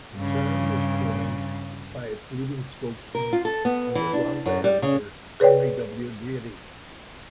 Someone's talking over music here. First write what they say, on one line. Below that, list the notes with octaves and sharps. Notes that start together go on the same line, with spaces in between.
The term was coined by its leading spokesman and "Atlanta" editor Henry W. Grady.
G2 C#3
A#4
F4
A4
B3
E3
D4
F#2
G3
C#3
G#4 B4 C#5 D5 G5